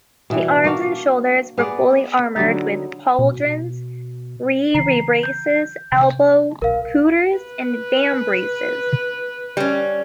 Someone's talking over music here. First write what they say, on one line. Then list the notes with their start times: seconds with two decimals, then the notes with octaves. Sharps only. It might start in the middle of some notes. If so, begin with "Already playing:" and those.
The arms and shoulders were fully armoured with pauldrons, rerebraces, elbow couters and vambraces.
0.30 B2 E3 G3
0.64 A#3 D4 F#4 F5
1.57 B3 G#4 B4 D5
2.36 D3 F#3 G3 D#4
3.19 B2
4.74 C#3 E3 A#5 C7
5.23 G6
5.92 C3
6.62 B1 B2 A#4 F5
7.34 B4
9.57 G3 C#4